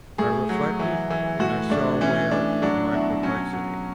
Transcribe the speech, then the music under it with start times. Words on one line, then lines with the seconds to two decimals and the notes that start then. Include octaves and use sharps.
I reflected, and I saw a way out of my perplexity.
0.18 A2 G#4
0.49 F#3
0.79 E3
1.10 E3
1.40 A2 F#4
1.70 A2 D4
2.01 E3 C#4
2.31 A2 D4
2.62 F#3 D4
2.92 B2 E4
3.23 F#3 C#4
3.53 F#3